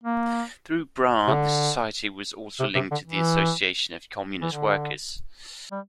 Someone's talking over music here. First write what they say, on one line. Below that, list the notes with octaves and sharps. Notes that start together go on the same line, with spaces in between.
Through Brar, the society was also linked to the Association of Communist Workers.
A#3
C3
D3
C3
C3
D3
E3
E3
D3
G3